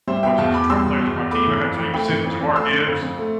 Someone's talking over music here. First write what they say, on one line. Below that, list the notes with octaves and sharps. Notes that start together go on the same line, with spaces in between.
a bunch of Detroit players on my team; I had Jameson, Jamar Gibbs.
G3 C5 E5
B2 E5 G5
E2 F5 A5
E2 B5 D6
G3 C6 E6
B2
E2
E2
A3 B5 D6
E3
F2
F2
A3 G5 B5
E3
F2
F2
A3 C6 E6
D3
F2
F2
A3